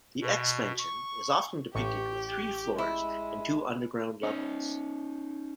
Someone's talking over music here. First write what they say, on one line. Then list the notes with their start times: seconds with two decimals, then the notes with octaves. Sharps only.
The X-Mansion is often depicted with three floors and two underground levels.
0.21 B2
0.79 C#6
1.75 A1 G4 C#6
2.78 G#3 E4
4.23 C#4 D#4